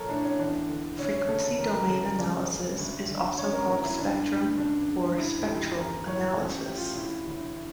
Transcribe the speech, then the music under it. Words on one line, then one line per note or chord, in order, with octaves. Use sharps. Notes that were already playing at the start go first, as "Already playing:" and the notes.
Frequency domain analysis is also called "spectrum-" or "spectral analysis".
Already playing: A#1 A4 A#4 C#5
A2 D4
C#4
E2 D4
D3
D2 C#4
C#4
C#3 A4
A4
E2 A#4
A#4
C#3 A4
A#4
C#2 D5
C#3
D2
D3
A1 C#5
A#4
A2 A#4
E4
G1 D4
G2
C#2 D4
C#3
G1 E4
G4
F2 A4
E2 A#4
E3 C#5
A1 A4
G4
A2
F4
E1 E4
D2